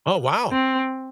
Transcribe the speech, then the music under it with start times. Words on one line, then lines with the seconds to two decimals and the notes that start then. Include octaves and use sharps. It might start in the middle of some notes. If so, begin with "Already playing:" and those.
Oh, wow.
0.52 C4